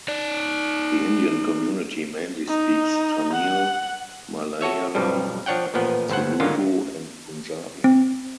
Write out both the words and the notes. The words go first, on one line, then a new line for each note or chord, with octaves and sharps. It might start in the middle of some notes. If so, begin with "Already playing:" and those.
The Indian community mainly speaks Tamil, Malayalam, Telugu and Punjabi.
D#4 D5
D#4
F#5
F#4 A4 C#5 E5
B1 G2 B2 F3 G3
F3 D4 C#5 F#5 G5
A1 A#2 F3 B3
G1 A2 C5 F#5
G#2 D3 D#3 F#3 A#3 F4
C4